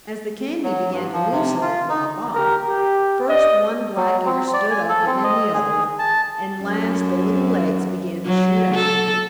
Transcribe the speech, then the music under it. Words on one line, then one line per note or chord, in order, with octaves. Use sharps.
As the candy began to loosen and drop off, first one black ear stood up and then the other, and last the little legs began to shoot out.
F#3
G2
F3
C3
F4
D#4
G4 A#4
G4
D5 D#5
F#3
C4
D5
G#5
A4
C4
D#5
G#4
A5
F#2
F#3
A4